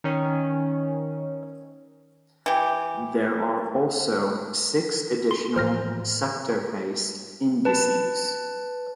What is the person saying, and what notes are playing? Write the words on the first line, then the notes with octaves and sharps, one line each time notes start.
There are also six additional sector-based indices.
D#3 C#4
E3 G4
C6
A2 E3 F3 C5 F6 A#6
B4 A5